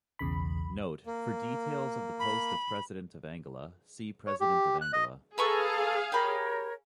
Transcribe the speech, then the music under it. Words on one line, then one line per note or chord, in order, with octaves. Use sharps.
"Note:" For details of the post of President of Angola, see President of Angola.
B1 E2 C#3 B5
A#3
B5
C#5
G4
F#6
D#5
G#4 A4 B4 F5 A#5 C#6
G4 A#4 C#5 B5